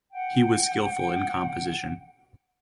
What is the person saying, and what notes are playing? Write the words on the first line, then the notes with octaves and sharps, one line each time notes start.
He was skillful in composition.
F#5 G5